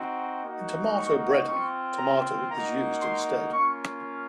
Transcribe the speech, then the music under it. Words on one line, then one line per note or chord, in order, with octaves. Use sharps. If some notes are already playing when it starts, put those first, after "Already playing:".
In tomato bredie tomato is used instead.
Already playing: C4 D#4 F#4
A#3 D#4 F#4
C#6
C4 F4 C#6
A#5
A#3 D#4 F#4 A#5
C6
A#3 C#4 F4 C#6